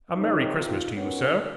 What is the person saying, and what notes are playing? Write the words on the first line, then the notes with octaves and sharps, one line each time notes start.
A merry Christmas to you, sir!'
E2 C3 D#3 C#4 D#4
D#4 F4
F#2 D#3 B3 C#4